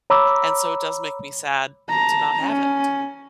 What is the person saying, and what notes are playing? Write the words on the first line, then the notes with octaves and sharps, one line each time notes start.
and so it does make me sad to not have it.
C#5 A#5 B5 D6 E6
A5 A#5
C#4